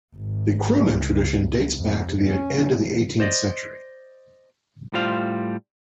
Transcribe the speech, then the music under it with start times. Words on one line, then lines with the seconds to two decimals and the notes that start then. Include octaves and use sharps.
The 'Krumen' tradition dates back to the end of the eighteenth century.
0.15 G#1
0.88 C#2
1.75 F2
2.26 C#4
3.20 C5 D5 D#5
4.93 A2 G3 F4 C5 F5